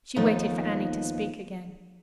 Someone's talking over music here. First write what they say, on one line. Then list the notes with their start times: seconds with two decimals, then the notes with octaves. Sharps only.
She waited for Annie to speak again.
0.16 D#2 F3 A3 B3 D#4